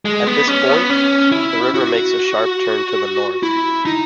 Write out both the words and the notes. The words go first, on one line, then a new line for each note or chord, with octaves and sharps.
At this point, the river makes a sharp turn to the north.
G#3
B3
C#4
B3
C#4
E4
F#4
E4
D#4